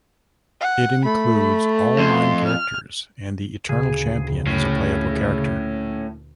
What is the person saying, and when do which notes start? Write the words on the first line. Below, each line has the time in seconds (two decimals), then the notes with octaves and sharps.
It includes all nine characters and the Eternal Champion as a playable character.
0.60 F#5
1.05 A3 B5
1.98 F2 C6
2.46 F6
3.69 D2 A#2 C#3 G#4
4.47 A2 C#4